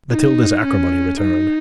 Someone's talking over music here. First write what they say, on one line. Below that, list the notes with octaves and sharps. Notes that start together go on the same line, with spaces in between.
Matilda's acrimony returned.
D#4
C#4
D#4